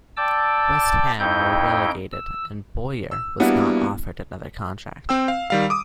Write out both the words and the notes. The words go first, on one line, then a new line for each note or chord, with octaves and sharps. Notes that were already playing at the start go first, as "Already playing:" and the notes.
West Ham were relegated and Bowyer was not offered another contract.
D5 G5 A5 D6 E6
F2 D#4 E4 G5 G6
E6
E6
G3 A#3 B3 D4 E4 F#4
C4 G5 E6
F5
D#3 G3 F5
D6 D#6